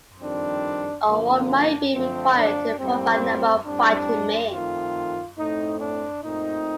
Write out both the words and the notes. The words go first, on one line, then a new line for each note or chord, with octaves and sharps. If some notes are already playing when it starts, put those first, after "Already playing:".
Or one might be required to provide a number of fighting men.
F2 D#3 G3 C4 D4
D3 F3 A#3
D4
F2 D3 F3 A3 C4
D4
A2 G3 A#3 C4
A2 G3 C4 D4
F2 D#3 A3 C4 F4
A2 A3 C4 D#4
D4
A#2 A3 C4 D#4